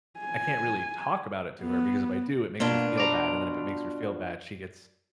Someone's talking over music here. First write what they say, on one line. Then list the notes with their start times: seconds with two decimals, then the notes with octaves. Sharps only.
I can't really talk about it to her because if I do, it makes her feel bad, and then if it makes her feel bad, she gets
0.19 G#5
1.62 B3
2.60 B2 A#3 D4 F4
2.98 D5 A#5